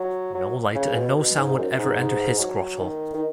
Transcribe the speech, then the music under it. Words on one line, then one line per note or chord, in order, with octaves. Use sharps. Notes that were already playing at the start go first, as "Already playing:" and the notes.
No light and no sound would ever enter his grotto.
Already playing: F#3
F#3
C#3
B2
B2
G#2
F#2
G#2
G#2
F#3
D#3
D#3